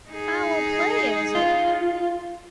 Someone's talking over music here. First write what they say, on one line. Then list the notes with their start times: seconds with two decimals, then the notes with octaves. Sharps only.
Foul play, is it?
0.10 D#4 G#4
1.35 F4